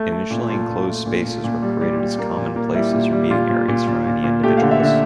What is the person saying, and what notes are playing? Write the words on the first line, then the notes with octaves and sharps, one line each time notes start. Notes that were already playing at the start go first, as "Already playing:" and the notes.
Initially enclosed spaces were created as common places or meeting areas for many individuals.
Already playing: A3
A3
A#2
A#2 F4
A#2
A3
A#2
A#2
A#2
G3
G3
G3
A#3
A#2
A#3
G3 E4
A#2
G3
A#2 F4
A#2
A#2
A#2
A#2
A#2
A3 G4
D3 F5
E5
D3
E5